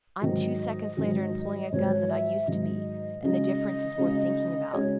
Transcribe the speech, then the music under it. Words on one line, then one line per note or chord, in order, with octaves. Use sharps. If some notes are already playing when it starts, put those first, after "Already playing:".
I'm two seconds later in pulling a gun than I used to be, and the difference is worth thinking about.
G#2 D#3 F#3 D#5
G#2 D#3 F#3
G#2 D#3 F#3 C#5
E5
G#2 D#3 F#3 D#5
C#3 G#3 D#4 F#4 D#5
C#3 G#3 D#4 F#4
C#3 G#3 D#4 F#4 C#5